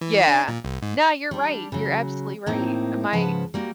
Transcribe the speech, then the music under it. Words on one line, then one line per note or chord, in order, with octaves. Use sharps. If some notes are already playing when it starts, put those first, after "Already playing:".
Yeah. No, you're right. You're absolutely right. My
E3
D4
A#2
C2
G#2
G3 D4
C#3 F#3
A2 A#3 C4 D#4
G#2 C#3 F3 B4 F#5 A5
G3 A#3 F#4